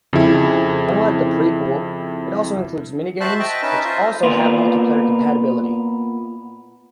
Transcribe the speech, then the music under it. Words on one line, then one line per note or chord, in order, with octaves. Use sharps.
Unlike the prequel, it also includes mini-games, which also have multiplayer compatibility.
F2 C#3 F3 E4 G#4
F#4 C5 E5 A5 F#6
D#5 E5 G5 A5
C#4 D#4 B4 E5 A5
F4 C5 D#5 E5
A#2 B3 F4